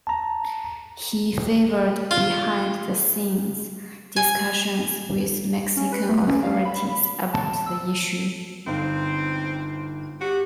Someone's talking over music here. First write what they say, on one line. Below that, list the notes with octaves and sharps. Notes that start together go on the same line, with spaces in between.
He favored behind the scenes discussions with Mexican authorities about the issue.
A5 A#5
F4
G#5
C#4
B4
A3
C#4
F5
B5
A5
E6
G1 C4 D#4 F5
F#4 G4